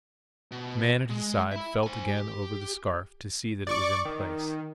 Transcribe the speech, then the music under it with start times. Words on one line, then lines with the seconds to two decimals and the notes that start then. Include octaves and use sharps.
The man at his side felt again over the scarf to see that it was in place.
0.52 B2
1.10 G#3
1.52 E5 B5
1.83 C5 G#5
2.08 G4
3.67 D5 C#6 D6
4.05 D#3